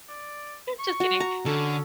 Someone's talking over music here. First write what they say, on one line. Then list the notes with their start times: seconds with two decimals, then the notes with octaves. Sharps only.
Just kidding.
0.09 D5
0.79 C#6
1.00 F#4
1.20 A#5
1.46 D3 C#4 A4